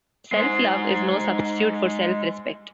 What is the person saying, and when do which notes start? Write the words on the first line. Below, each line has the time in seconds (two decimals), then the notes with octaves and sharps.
Self-love is no substitute for self-respect.
0.32 G#3 C5